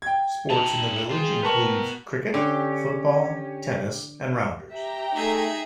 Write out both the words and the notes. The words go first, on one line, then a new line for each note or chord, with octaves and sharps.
Sports in the village includes cricket, football, tennis, and rounders.
G5 G#6
D#4 E4 A5
F4 G#4 C5
B3 F#4 A#4 B4 A5 C#6
D3 C#4 G4
G4 E5 G5 A#5
A3 D#4 G#4 E5